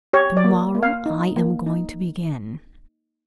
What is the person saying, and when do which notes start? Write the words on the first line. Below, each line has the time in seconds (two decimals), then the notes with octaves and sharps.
To-morrow I am going to begin.
0.13 G4 C#5
0.37 D5
0.44 A#3
0.75 A#3
0.83 F5
1.06 D#4
1.36 A#3
1.66 D#4